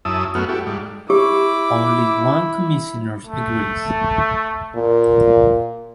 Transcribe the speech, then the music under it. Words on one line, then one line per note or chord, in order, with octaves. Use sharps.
Only one commissioner agrees.
F#2 E4 A5 D#6 E6
F#2 A3 B3 F#4 F6
E4 F#4 G4 A4
G#2 G3
E4 G4 D6
A3
A#2